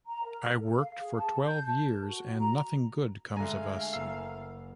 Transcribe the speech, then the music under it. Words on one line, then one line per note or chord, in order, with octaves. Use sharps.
I worked for twelve years, and nothing good comes of us.
A#5
A#4
A4
F5
G#4
A5
G6
A5
A#4
F#4
A#5
D3 G#3 A3 F5 G#5 A#5
F#1 A#3 E6 C7